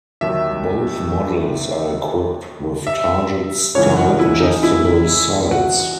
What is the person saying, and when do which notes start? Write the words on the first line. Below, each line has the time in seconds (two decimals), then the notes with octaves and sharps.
Both models are equipped with target style adjustable sights.
0.21 D#2 D#3 F#3 E5
2.87 E5
3.74 C#2 C#3 E3 C#5
3.97 F#4
4.19 E4
4.40 D#4
4.63 E4
5.51 F#4